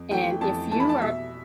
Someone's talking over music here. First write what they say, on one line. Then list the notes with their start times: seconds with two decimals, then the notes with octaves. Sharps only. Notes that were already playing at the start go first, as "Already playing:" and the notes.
and if you are
Already playing: F2
0.11 E3 A3 G5
0.41 F2 A5
0.71 E3 A3 A5
0.80 B5
0.89 A5
1.02 B2 E5